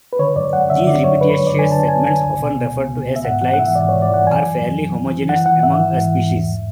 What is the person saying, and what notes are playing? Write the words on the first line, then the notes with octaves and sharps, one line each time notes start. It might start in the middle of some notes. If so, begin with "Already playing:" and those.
These repetitious segments, often referred to as satellites, are fairly homogenous among a species.
B4
D3 C#5
F#2 D5
F#2 F#5
D3 E5
D3 D5
F#2 C#5
D3 B4
F#2 C#5
D5
D3 G#5
D3 A5
D3 G#5
D3 G#5
C#2
B2
B2
C#2
B2
B2
E5
G#2 F#5
E3 F#5
F#5
E3 E5
G#2 D5
G#2 C#5
D5
E3 F#5
F#2 G#5
E3
F#2
F#2
E3
E3
E3 F#5
E3 F#5
G#2 E5
E3
G#2
G#2
E2